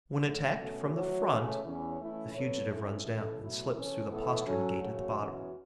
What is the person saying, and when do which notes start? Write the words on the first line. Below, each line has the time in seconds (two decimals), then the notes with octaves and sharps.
When attacked from the front, the fugitive runs down and slips through the postern-gate at the bottom.
0.24 A2 F#3 A3
0.59 B2 A3 C#4 F#4 A4
0.94 F#3 A3 F#4 A4 C#5
1.30 C#3 E3 A3 C#4
1.64 E2 E3 C#4
2.00 E3 A3 C#4 E4
2.35 F#3 B3 A4 C#5
2.71 A2 A3 C#4 E4 A4
3.05 E3 C#4 E4 A4
3.42 B2 F#3 A3 E4
3.76 E3 C#4 A4 C#5
4.11 A2 E3 B3 E4 A4
4.47 F#3 C#4 A4
4.82 F#2 C#3 A3 F#4 C#5
5.17 E2 E3 C#4 F#4